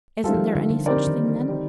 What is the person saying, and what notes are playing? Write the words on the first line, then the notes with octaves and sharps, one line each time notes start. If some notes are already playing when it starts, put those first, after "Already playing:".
"Isn't there any such thing, then?"
D#3 G3 A3 C4 F4 A4
F3
D3
D3
D3 G3 C4 D#4 A#4 D5
D3
D#3
G3 C4 D#4